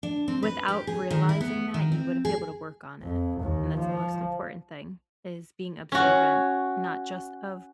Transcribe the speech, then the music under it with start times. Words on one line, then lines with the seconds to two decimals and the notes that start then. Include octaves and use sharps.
without realizing that, you wouldn't be able to work on it. And that's the most important thing, is being observant, not just of
0.03 D4
0.28 C4
0.43 B4
0.68 G4
0.87 G#4
1.10 D#3
1.29 E4
1.41 B3
1.74 D#3
1.92 C4
2.25 G#4
3.02 F2
3.41 D#2
3.77 F3
5.92 C#4 F#4